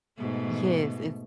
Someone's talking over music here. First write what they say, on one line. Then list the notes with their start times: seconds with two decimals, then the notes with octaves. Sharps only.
Yes, it's
0.18 G#2 B2 A3